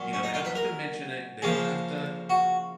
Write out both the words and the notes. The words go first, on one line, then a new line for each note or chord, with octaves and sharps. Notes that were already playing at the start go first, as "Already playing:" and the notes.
you know, they don't have to mention it, they don't have to
Already playing: A#2 F#3
C#4
D#4
F4
B4
A#4
C#3 F3 A#3 G#4
F#4